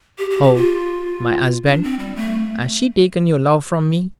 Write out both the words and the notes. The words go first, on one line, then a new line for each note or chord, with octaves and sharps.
"Oh, my husband, has she taken your love from me?"
G4
G4
G4
F4
D4
C4
G3
A3